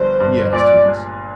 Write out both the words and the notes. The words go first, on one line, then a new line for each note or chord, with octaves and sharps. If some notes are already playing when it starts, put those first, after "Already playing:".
Yes, yes.
Already playing: G1 G2 F3 C5
G2
A#2 D5
G#3